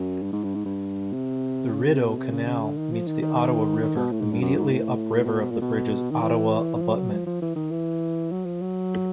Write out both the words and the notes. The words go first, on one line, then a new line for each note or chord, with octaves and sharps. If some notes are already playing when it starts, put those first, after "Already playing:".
The Rideau Canal meets the Ottawa River immediately upriver of the bridge's Ottawa abutment.
Already playing: F#2
G2
G#2
G2
G#2
G2
C3
C#3
C3
B2
C3
C#3
C#3
D3
D#3
F3
D#3
D#3
D#3
B2
A2
G#2
G2
F#2
G#2
A2
B2
A#2
B2
A#2
B2
D#3
E3
E3
F3
F#3
F3
F3
E3
D#3
E3
F#3
F3
F#3